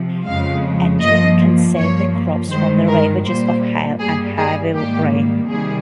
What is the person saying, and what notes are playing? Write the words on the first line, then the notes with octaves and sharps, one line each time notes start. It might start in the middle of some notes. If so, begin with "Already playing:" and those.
A twin can save the crops from the ravages of hail and heavy rain.
Already playing: C3 F3
F2 C#3 G#3 F5
G2 F3 A#3 D#5
G2 F3 A#3 C#5
G2 D#3 G#3 C5
A#4
A#2 G3 A#3 C5
G2 G3 A#3 G#4
G#4
G#2 D#3 G3 A#3 G4
C3 D#3 G3 G#4